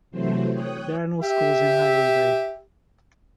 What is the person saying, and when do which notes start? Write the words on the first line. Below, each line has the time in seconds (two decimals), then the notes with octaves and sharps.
There are no schools in Hideaway Bay.
0.11 C3 E3 F#3 A3 C5
0.52 C#5 G5 D#6 F#6
1.22 G4 E5